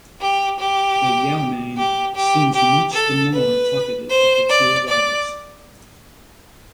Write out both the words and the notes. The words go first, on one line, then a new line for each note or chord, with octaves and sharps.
The Yeoman seems much the more talkative of the two arrivals.
G4
G4
G4
G4
G4
A4
B4
C5
D5
D5